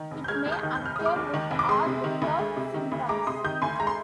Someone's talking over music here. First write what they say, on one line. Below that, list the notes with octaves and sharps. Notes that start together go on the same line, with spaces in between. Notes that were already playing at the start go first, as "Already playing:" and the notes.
It may occur with or without symptoms.
Already playing: D#3
F1
G6
G#3 F6 G#6
D#2
D#6 G6
D#3
G6
F1 F6
G#3 D#6
D6 F6
D#2
D#3
F1
D6
G#3 C6 D#6
C3
D#3
D2
G#3
C3
D#3
D2
G#3 A#5 D6
C3 C6 D#6
D#3 D#6 G6
D2 G#5 C6
G#3 A#5
C6